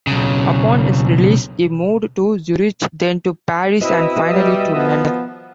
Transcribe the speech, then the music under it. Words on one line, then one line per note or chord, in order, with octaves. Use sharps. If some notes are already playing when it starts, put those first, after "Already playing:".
Upon his release he moved to Zurich, then to Paris and finally to London.
B1 C#3
B2 C4 E4 B4 D#5 E5
G3
D#3 F3 B3